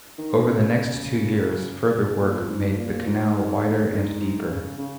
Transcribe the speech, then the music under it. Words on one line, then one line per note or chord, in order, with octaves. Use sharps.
Over the next two years, further work made the canal wider and deeper.
D#3
C#3
A#2
F2
G#2
A#2
G#2
G#2
G#2
C#3
C#3